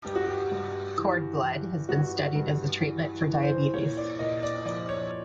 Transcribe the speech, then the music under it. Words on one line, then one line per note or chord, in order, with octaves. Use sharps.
Cord blood has been studied as a treatment for diabetes.
G2 G4
F#4
G4
G2
E3
E3
G2 F#4
G2
E3
E3
C5
A#2 C#5
D5
A#2 D#5
D5
F3 D5
C#5